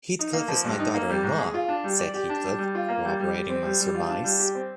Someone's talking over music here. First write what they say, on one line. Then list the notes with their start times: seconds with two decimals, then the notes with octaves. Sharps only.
Heathcliff is my daughter-in-law,’ said Heathcliff, corroborating my surmise.
0.19 D#4
0.33 A#3
0.48 F3
0.64 G2
0.79 D#4
0.94 A#3
1.09 G3
1.23 G#2
1.38 G#4
1.54 F4
1.68 D4
1.84 G3
1.99 D5
2.14 G4
2.29 D4
2.44 G3
2.59 G3
2.75 F4
2.89 A#3
3.05 G3
3.20 G3
3.35 G4
3.50 C4
3.65 G3
3.80 G3
3.94 F4
4.09 D4
4.24 G3
4.39 G4
4.55 C4